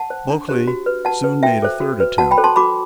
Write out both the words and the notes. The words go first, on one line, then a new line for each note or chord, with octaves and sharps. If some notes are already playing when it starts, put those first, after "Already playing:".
Bulkeley soon made a third attempt.
Already playing: F#5 A5
C5
D4
G4 C5
F#4
B4
F#4 F#5 A5
B4
F#4 E5 G5
A4 C5
F#4
B4
F#4 F#5 A5
G5 B5
A4 C5
A5 C6
F#4 B5 D6